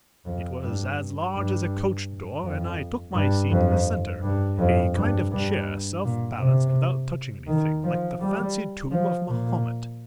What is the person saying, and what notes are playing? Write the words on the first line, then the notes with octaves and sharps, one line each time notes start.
It was as large as a coach-door, and I took my seat in the centre, a kind of chair self-balanced without touching anything, like the fancied tomb of Mahomet.
F2
G2
G2
F2
G2
F2
G2
F2
G2
G2
A#2
C3
D#3
F3
G3
F3
A#2